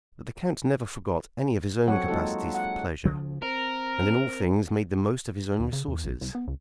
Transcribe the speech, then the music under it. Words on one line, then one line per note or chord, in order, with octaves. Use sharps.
But the count never forgot any of his own capacities for pleasure, and in all things made the most of his own resources.
F#3 C4 F#4 A4 C#5 F#5
G#3 A#3 D#4 F4 F#4 A4
F#5
D2 C#3 F3
C4 A#4
D#2
C#3
E2
A#1
C2
B3
C#2